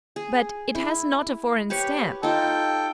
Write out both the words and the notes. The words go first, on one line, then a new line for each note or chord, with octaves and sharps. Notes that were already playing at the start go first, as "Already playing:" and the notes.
"But it has not a foreign stamp."
G#4
E4
G4 B4 C#5
D#4 F4 A4 G5